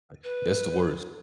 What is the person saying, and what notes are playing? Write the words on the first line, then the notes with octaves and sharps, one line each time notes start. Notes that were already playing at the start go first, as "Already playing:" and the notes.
Like, that's the worst.
B4